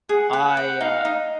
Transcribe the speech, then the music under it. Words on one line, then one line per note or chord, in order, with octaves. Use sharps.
I, uh,
G#4 F#5
B4
F#5
G5
D#4 F5
D#4